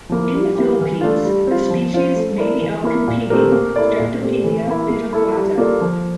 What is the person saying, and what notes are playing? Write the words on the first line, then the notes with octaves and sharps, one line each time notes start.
In the Philippines, the species may be outcompeting "Streptopelia bitorquata".
F3 A#3 E4
G3
A#3 E4 G4
E3
A3 D4 F4
G3
C4 F4
F3
C4 F4 C5
A3
E4 A#4 D5
E3
A#3 E4 A#4
A#2
A3 C4 G4 A#4
A#3
E4 A4 D5
A#2
A3 C4 G4
E3
A#3 E4
A#3
E4 A4
G3
A#3 F4 A4 D5
F3